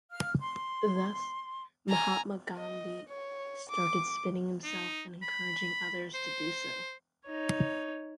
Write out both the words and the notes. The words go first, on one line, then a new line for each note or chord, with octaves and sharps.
Thus Mahatma Gandhi started spinning himself and encouraging others to do so.
F5 F6
C6
G#5 A#5
D#5
C#5
D6
D#4
B5
C5
D#4 C#5